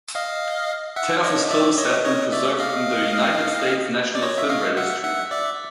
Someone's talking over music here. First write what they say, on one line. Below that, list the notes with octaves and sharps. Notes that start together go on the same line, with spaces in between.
Ten of his films have been preserved in the United States National Film Registry.
D#5 F5
E5 F#5
C#5 D#5
D5 E5
C#5 D#5
C#5 D#5
D5 E5
D#5 F5
D5
C#5 D#5
E5
D#5 F5
E5 F#5
E5 F#5
D5 E5